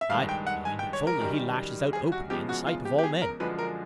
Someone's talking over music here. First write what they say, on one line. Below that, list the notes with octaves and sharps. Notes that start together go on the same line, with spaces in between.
"I don't mind if only he lashes out openly in the sight of all men."
E5
G2 D#3 G#3 F5
G5
F#5
G#5
G5
C#5
A#4
F#2 D#3 G3
G#4
F#4
E2 C#3 F3 G#3 G4
F#4
F4
G4
G4
G#4
A#4
F#2 D3 F3 G#3 B4
A#4